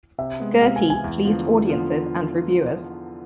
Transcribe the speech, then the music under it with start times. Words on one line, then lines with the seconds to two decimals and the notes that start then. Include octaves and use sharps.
"Gertie" pleased audiences and reviewers.
0.18 C3 E5
0.40 G#3 B3
0.61 C3 F5
0.76 G#5
0.83 G#3 B3
0.90 G#5
1.04 E2
1.25 D3 F3 B3 F4
1.46 E2
1.67 D3 F3 B3 F4